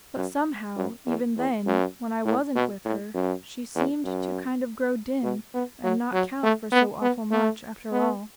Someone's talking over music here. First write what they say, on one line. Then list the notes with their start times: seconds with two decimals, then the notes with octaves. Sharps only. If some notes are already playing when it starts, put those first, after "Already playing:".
But, somehow, even then, when I wasn't with her she seemed to kind of grow dim and not count for so awful much after all.
0.17 F#2
0.76 F#2
1.06 E2
1.36 E2
1.67 F#2
2.25 A2
2.55 B2
2.85 A2
3.15 F#2
3.75 E2
4.05 F#2
5.23 B2
5.54 B3
5.84 F#3
6.13 F#3
6.43 A3
6.72 B3
7.02 B3
7.31 A3
7.92 B3